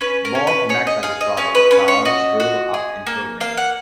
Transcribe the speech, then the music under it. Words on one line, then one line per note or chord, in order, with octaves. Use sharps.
Both Max and his brother Charles grew up in Germany.
C#4 B4
A#4
C#4
B4
G#4 C#5
D#5
G#4 F5
D#5
C#4 D#5
B4
C#4 B4
C#5
F#4 D#5
F#4
G#4
A#3
A#3 F5
F#5